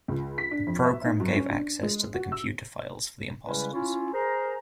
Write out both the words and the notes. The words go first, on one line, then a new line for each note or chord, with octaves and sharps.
The program gave access to the computer files for the impostors.
C#2
B6
D4
F2
E5
D#4
F#2
C#4
D4
G#3
F#4
E6
C#3 G3 G#3 C#4 E4 B4
C#4 E4 F4
G#4 A#4 C5 A#5